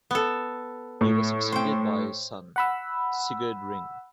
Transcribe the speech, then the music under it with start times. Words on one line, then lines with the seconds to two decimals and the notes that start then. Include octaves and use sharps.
He was succeeded by his son Sigurd Ring.
0.11 B3 A4
1.01 A2
1.52 C5 G5
2.56 F#5 B5 E6